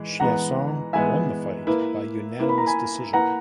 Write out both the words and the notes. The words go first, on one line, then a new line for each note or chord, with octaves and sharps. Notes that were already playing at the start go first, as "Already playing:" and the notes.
Chiasson won the fight by unanimous decision.
Already playing: E3 G#3
E3 G#3 B3 F#5 A#5
E3 G#3 B3 E5 G#5
A#3 E4 B4
A#3 E4 B4
B5
A#5
G#5 B5
A#3 E4 B4 F#5 A#5